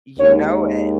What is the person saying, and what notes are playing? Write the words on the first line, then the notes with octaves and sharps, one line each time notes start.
You know it.
D#2 D#3 G#3 C#5